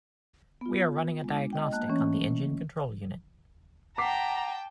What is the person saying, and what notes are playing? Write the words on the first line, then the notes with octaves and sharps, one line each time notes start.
We are running a diagnostic on the engine control unit.
B3 F4
G#3 D4
D#5 G5
A#3 A5 F#6
E3 A3 C#4 C#5
F#5 G5 A5 A#5 D6 B6 C7